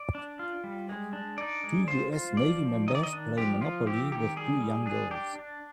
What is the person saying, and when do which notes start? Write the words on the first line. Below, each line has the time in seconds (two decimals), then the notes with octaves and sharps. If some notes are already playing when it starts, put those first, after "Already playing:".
Two US Navy members play monopoly with two young girls.
Already playing: D5
0.15 D4
0.39 F4
0.64 G3
0.89 G#3
1.13 D4
1.38 D#4 D5
1.64 G#3
1.88 F4 C5
2.13 F4
2.37 F3 D5
2.63 F3
2.88 D#3 D#5
2.95 D5
3.03 D#5
3.13 D4
3.37 F3 G4
3.61 F3 F4
3.86 C4 G4
4.12 D#3 G4
4.36 G3 G#4
4.62 G3
4.86 D4 G#4
5.11 D4 G4
5.36 D4